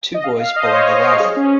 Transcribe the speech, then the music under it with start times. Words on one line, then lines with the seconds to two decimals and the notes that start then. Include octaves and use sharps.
Two boys pulling a wagon.
0.14 D#5
0.24 F5
0.40 F5
0.56 D#5
0.64 C5
0.72 C#5
0.88 C5
1.20 G#4
1.36 C#4